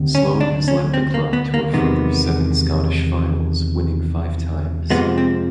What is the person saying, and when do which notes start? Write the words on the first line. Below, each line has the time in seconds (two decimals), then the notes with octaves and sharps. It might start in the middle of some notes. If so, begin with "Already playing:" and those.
Sloan has led the club to a further seven Scottish finals, winning five times.
Already playing: D2 C3 D#3
0.15 C#4
0.41 D4
0.68 C#4
0.94 C4
1.14 A#3
1.33 B3
1.54 A#3
1.73 E2 C3 D#3 G#3 B3
4.90 F2 C3 F3 G#3 B3
5.18 C4